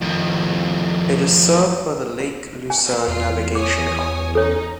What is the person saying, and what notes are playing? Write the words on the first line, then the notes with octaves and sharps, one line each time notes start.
It is served by the Lake Lucerne Navigation Company.
F2 D#3
G#5
E2 F4
C#5 G#5 D6 D#6
C#4 D#4 A4 C#5